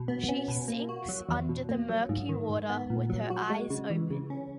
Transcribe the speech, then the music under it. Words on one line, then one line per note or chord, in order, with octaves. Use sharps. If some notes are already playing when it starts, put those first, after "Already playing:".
She sinks under the murky water with her eyes open.
Already playing: B2
B3
C#4
B2
A#3
F#4
F#3
E2
B2
A#3
F#3
G#2
D#3
G#2
B3
A#2
F#3
F#4
G#3
C#3
E3
C#3
C#4